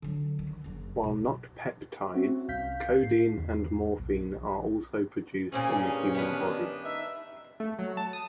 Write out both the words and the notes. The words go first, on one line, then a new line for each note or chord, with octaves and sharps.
While not peptides, codeine and morphine are also produced in the human body.
D3 F#3
D#3
F#1 F#2
B2 F#3
C4 C#4 F#4 E5
C2 F5 G6 B6
A2 C7
E2
B1
A#2 A#3 C4 C#4 G#4
G2
G2 D#3 B3 D4
D#4 E5
A3
F#3
A5
D#6